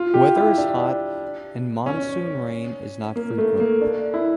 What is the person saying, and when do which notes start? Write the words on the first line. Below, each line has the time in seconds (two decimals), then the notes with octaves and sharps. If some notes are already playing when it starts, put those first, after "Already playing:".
Weather is hot and monsoon rain is not frequent.
Already playing: F4
0.14 G4
0.36 E4
0.58 D4
1.86 C#4
3.16 A#3
3.38 A3
3.60 A#3
3.81 D4
4.14 E4